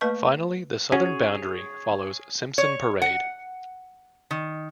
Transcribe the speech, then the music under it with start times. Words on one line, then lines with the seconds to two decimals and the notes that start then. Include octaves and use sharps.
Finally the southern boundary follows Simpson Parade.
0.01 A3 A#3 B4 D#5 A5 C#6
0.92 C#4 F#4 G#4 C#5
2.58 C#5
3.02 F#5
4.31 D#3